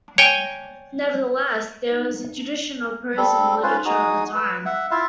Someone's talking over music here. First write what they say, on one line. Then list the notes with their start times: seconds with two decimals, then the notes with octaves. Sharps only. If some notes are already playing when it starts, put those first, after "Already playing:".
Nevertheless, there was a tradition of prose in the literature of the time.
0.18 C#5 G5 G#5
3.17 G3 C4 A4
3.63 C#4 F4 B4 C5
3.85 D#4 F#4 G#4 D#6
4.35 B4
4.66 E5 F#5
4.91 E4 F4 E5 F5